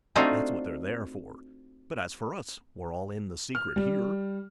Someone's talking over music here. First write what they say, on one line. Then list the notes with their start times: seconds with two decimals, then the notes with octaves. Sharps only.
That's what they're there for; but as for us--we're all in the secret here.
0.16 A3 C4 D4 D#4 F4 F#4
3.55 F6
3.76 G3